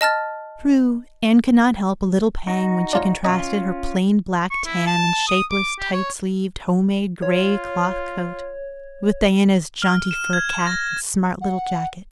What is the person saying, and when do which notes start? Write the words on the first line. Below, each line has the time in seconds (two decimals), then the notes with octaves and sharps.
True, Anne could not help a little pang when she contrasted her plain black tam and shapeless, tight-sleeved, homemade gray-cloth coat with Diana's jaunty fur cap and smart little jacket.
0.01 D#5 A5 F6 A6
2.47 D#4 F#4
2.93 D4 F4 C#5
3.25 C#4 F4 D#5 D#6
4.50 C#6
4.65 E4
4.87 A5
5.28 D#6
5.50 D6
5.79 G4
5.93 C#5
7.22 F4 C#5
9.82 F6
10.11 E7
10.33 G#6
10.49 E7
10.67 A#6
11.41 F#5